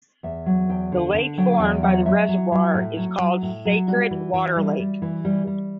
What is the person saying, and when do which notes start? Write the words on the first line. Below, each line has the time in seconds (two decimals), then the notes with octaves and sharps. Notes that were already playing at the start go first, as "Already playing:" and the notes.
The lake formed by the reservoir is called "Sacred Water Lake".
0.23 E2 E5
0.46 F#3
0.69 E2 G5
0.92 D3
1.14 D3
1.38 F#3 G5
1.60 E2 G5
1.83 F#3 F#5
2.05 F#3 E5
2.29 F#3
2.52 F#3
2.74 A2
2.97 F#3
3.19 F#3
3.42 A2
3.65 F#3
3.88 G3 F#4
4.11 E3
4.34 E3
4.56 G3
4.80 G3
5.02 E3
5.25 G3
5.47 G3